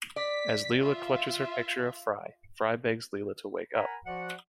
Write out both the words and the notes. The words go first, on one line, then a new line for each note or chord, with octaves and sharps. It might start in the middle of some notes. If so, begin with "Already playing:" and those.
As Leela clutches her picture of Fry, Fry begs Leela to wake up.
D5 B6
F4 E5
A#4 F#5 G#5 A#5 B5
F3 F#4 D5 F#5